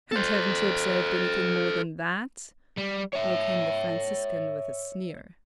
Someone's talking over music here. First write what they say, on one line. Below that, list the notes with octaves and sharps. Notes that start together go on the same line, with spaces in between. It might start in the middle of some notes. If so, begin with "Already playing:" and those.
"And haven't you observed anything more than that?" broke in the Franciscan with a sneer.
A4 C5
G3
C#5 E5